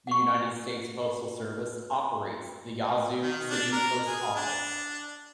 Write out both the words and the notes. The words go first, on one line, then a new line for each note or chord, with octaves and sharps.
The United States Postal Service operates the Yazoo City Post Office.
F#5 C#6
D#3
D4
A#4
G#4
D4